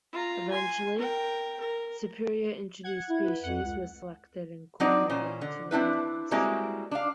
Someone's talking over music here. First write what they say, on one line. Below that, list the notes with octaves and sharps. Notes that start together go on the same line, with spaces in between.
Eventually superior introduced species were selected and incorporated into the gardens.
F4 A#5
G#5 C6
A#4 G5
A#4
F#5 G#6
E4
B4
F2 F#5
C#2
F#3 C4 D4 D#4 D5
A#2 C#4 C5
D3
C4 D4 E4 B4
G3 G#3 A#3 C4 E4 F#4
D4 F5